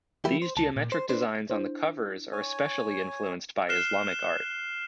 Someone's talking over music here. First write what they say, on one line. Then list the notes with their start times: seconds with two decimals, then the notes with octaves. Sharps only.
The geometric designs on the covers are especially influenced by Islamic art.
0.25 F3 F#3 A#3 E4 G4
0.42 C5
0.57 C#2 A5
0.76 A#2
0.92 C5
1.09 D4 B4 C5
1.50 D4 E4 C5
2.32 C#5 G#5
3.69 F6 F#6 C7 E7 G7